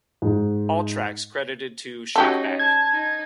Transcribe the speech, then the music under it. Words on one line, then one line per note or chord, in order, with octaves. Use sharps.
All tracks credited to Shriekback.
G#2
C#4 D#4 F#4 G4 A4
A5 G#6
D#4